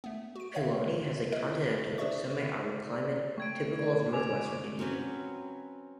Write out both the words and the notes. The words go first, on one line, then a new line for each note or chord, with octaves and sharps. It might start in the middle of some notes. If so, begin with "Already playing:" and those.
Pilani has a continental, semi-arid climate, typical of North Western India.
A3 B3
F#4 D7
C#5 E5 F5
E4 A#4 D#5
D4 G#4 C5 D5 E5 C#6
D5
A3 G5 B5 C#6 G#6 D7
D5
G#5 D6 G#6 F7
F#3 C4 C#4 B4